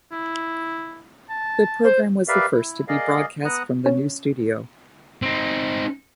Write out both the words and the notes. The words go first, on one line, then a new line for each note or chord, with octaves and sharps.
The programme was the first to be broadcast from the new studio.
E4
A5
C5
G4 A#4 B4 D5 E5 F5
E4
G#4 A#4 D5 D#5 F5
B3 F#5 A#5 D#6 F#6
C#4
C4 D#4